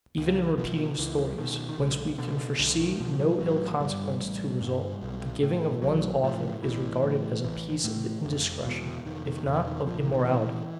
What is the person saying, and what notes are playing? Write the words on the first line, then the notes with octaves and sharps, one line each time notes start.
Even in repeating stories, whence we can foresee no ill consequences to result, the giving of one's author is regarded as a piece of indiscretion, if not of immorality.
C#2
B2 F3
C#2 E3
B2 D#3
D#3
B1 D3
B2 D3
B1 D3
D#3
B2 F3
F#3
A1 F#3
G2 D3 G3
A1
G2 D3
B1
A2
B1 F#3
A2 F3
A1 E3
A2
A1
A2
F1
E2 B2
F1 D#3
D#3
E2 B2 D3
D#3
A#1 F3
E3
D#3
A#2 E3